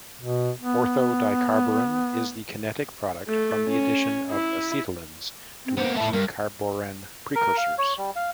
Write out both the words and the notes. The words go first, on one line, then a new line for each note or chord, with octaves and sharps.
Ortho dicarborane is the kinetic product from the addition of acetylenes to decarborane precursors.
B2
B3
A3
C#4
E4
C4
A#3 B3 C5
A3 E4 A5
G2 A#4
A#4
F5
C#5
G3
F5